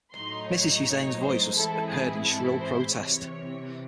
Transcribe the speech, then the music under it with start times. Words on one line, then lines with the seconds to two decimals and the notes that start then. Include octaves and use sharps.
Mrs. Hussain's voice was heard in shrill protest.
0.14 A2 F#3 A3 D#4 C6
0.49 C#5
0.85 C#5
1.20 C5
1.55 G#2 E3 G#3 C4 E4 A4
1.90 G#4
2.26 A4
2.61 C5
2.96 C3 E3 C4 C#5